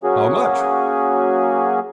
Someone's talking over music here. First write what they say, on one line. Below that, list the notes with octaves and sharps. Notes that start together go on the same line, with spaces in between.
How much?
F#3 A#3 C#4 F#4 G#4